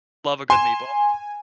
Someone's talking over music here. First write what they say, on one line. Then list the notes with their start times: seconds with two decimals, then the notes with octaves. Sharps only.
Love a good meatball.
0.50 G#5 C6 E7